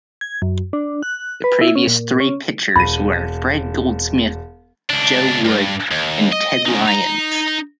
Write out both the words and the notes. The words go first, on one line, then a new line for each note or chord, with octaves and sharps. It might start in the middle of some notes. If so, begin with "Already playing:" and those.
The previous three pitchers were Fred Goldsmith, Joe Wood, and Ted Lyons.
G#6
F#2
D4
F#6
B4
E4
C#4
A#2
C#4
E1 B5 D#7
C#2 D4
G2
D#2
D#5
C#4 D#4
D#4 A#5